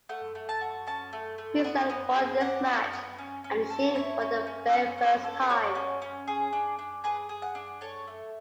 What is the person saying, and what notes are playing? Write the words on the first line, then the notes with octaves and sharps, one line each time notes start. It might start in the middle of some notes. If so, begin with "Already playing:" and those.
Queensland won this match and the Shield for the very first time.
A3 F#5
A3
A5
F#4
C#4 A5
A3
A3
B3
B3
G#4
D4 F#5
B3
B3
C#4
C#4
A4
E4 C#5
C#4
C#4
C#4
C#4
A4
F#4 C#5
C#4
C#4
G#4
D4
D4
G#4 B4
G#4
F#5
D4
A4 C#5
A3